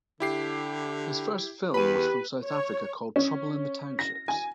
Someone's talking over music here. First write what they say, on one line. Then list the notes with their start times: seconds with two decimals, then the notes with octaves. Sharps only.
His first film was from South Africa called "Trouble in the Townships".
0.20 D3 E4 G4 C7
1.74 E2 G4 B4 B5 D#7
2.45 C#5
3.16 C#4
3.99 A#6
4.28 G#5